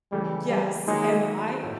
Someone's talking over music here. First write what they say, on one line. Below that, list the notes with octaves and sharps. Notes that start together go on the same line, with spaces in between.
Yes, and I
C#3 E3 G3 A3
G3
D#3 F#3 G#3 A#3 D#4 F#4
A2 F#3